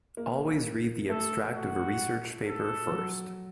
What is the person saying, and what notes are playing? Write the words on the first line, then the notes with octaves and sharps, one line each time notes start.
Always read the abstract of a research paper first.
A#3
A3 A4
F#4
A4
F3
F#3